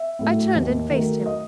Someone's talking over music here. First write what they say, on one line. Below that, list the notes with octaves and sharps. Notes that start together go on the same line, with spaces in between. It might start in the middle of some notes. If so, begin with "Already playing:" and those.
I turned and faced him.
Already playing: E5
A2 F#3 A3
D#2
D#3 F#3 A3
D#5